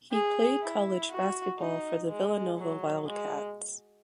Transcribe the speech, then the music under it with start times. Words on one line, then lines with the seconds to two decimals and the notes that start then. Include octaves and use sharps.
He played college basketball for the Villanova Wildcats.
0.12 G#4
0.62 E4
1.11 F#4
1.59 D#4
2.08 G#3
2.57 F#3
3.06 G#3